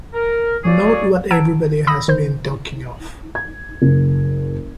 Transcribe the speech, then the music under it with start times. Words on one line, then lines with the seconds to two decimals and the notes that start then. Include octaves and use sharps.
Not what everybody has been talking of!
0.14 A#4
0.64 F#3 A#3 F#4 G#4 C#5 D5
1.31 F#5 A5 A#5 E6 G#6 D7
1.87 B5 D#6 E6 A#6
2.08 D#3 C5 G6
3.35 G#6
3.82 F#1